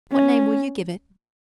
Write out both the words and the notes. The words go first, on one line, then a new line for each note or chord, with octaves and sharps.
What name will you give it?'
C#4